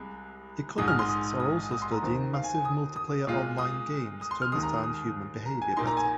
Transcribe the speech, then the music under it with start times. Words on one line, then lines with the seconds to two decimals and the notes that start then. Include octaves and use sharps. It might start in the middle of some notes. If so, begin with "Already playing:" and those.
Economists are also studying massive multiplayer online games to understand human behavior better.
Already playing: C2 C3 G#3
0.78 A#1 G#2 G#3 D#4 D#6
0.88 F6
0.99 C6
1.08 D#6
1.40 D#6
1.71 D#6
1.82 C6
1.92 A#5
2.02 D#2 D#3 C4
2.34 F5
2.44 G#5
2.54 G#5
2.65 D#6
2.96 D#6
3.27 A#2 G#3 F4
3.58 D#6
4.21 D#6
4.31 C6
4.42 F6
4.52 D#2 D#3 G#3 D#6
4.63 A#5
4.73 D#6
4.83 D#6
5.46 A#5
5.62 G#5
5.77 A#1 A#2 A#3 D#4 C6
5.87 A#5
5.97 G#5